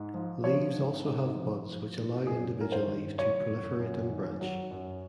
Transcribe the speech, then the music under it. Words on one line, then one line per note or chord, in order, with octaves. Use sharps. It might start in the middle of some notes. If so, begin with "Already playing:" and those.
Leaves also have buds which allow individual leaves to proliferate and branch.
Already playing: G#2
F3
F3 C#5
G#2
G#2
F3
F3
G#2
F#2 G#4
F#2 A#4
C5
D#3
F#3 C#5
F#2
F#2
D#3
F#3
F#2